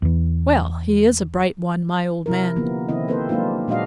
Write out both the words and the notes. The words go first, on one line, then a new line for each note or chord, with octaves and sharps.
Well! he is a bright one, my old man!
E2 E3
C3 E4 A#4
D3 F3 A#3 B3
C3 D#3 C4 E4 D#5
A#3 C4 A4 B4 C5
F#3 G#3 A#3 D4 D#4 F4
A#2 G#3 D4 F#4 D#5 F5